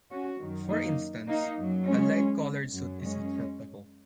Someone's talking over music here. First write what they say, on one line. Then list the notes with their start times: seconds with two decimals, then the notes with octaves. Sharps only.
For instance, a light colored suit is acceptable.
0.11 C#4 F#4
0.40 F#2 D#3 F#3
0.69 A#3 D#4
1.27 A#3 D#4
1.56 F#2 F#3
1.86 G#3 C#4
2.73 F#2 F#3
3.02 G#3 C#4